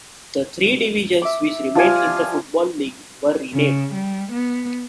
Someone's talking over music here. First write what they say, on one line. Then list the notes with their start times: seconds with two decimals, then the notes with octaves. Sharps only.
The three divisions which remained in the Football League were renamed.
1.22 E5 D6
1.75 F3 G3 F4 G#5
3.54 C#3
3.94 G3
4.32 B3